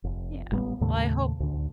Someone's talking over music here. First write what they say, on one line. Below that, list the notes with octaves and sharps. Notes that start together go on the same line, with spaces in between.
Yeah, well, I hope
F1
A1 G3 G#3 B3
D#2 A2 C#3 A3
D2 D3